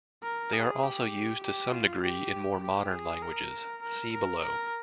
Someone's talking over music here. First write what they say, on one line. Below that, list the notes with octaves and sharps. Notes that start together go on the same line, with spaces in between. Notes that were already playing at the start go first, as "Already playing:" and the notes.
They are also used to some degree in more modern languages; see below.
A#4
G#4
G4
G4
F4
G4
G4
G#4
A#4
A#4
A#4
A#4